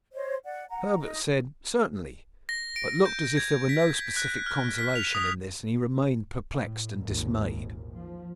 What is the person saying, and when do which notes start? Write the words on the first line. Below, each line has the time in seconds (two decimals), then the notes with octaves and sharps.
Herbert said, "Certainly," but looked as if there were no specific consolation in this, and remained perplexed and dismayed.
0.13 C5 C#5 D#5
0.44 D5 F#5
0.70 F#5 A#5
1.00 D#4 D#5
2.49 A#6
2.76 D7
3.06 G6
3.37 G#6
3.69 B6
4.17 F#6
4.46 F6
4.78 B6
4.95 F7
5.15 D#6
6.56 A2
7.02 G#1 D#2 A#2
7.93 F3